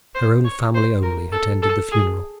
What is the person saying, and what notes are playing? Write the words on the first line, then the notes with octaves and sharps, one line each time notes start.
Her own family only attended the funeral.
C5
C#5
C5
A#4
A4
A4
G#4